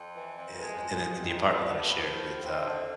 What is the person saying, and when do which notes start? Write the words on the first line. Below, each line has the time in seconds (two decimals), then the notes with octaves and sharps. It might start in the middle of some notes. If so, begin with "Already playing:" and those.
in the in the apartment that I shared with, uh,
Already playing: F2
0.14 E3
0.37 F2
0.60 G#3
0.83 F2
1.06 C3
1.29 F2
1.52 B3
1.75 A2
1.98 F3
2.21 A2
2.43 C4
2.66 D3